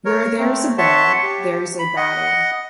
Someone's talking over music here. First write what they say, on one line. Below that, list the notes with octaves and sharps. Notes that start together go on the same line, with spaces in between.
Where there is a bell, there is a battle.
A#4 C#5
A3 C4
C#5 E5 F#5 A5 C6 C#6
G4
B5
D#5 F#5